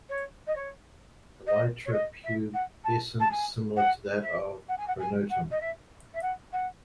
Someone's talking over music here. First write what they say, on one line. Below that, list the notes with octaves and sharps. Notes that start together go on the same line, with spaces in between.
Elytra pubescence similar to that of pronotum.
C#5
D#5
C#5
D#5
C#5
D#5
E5
F#5
A5
A5
G#5
F#5
E5
F#5
G#5
F#5
G#5
F#5
D#5
E5
E5
F#5
F#5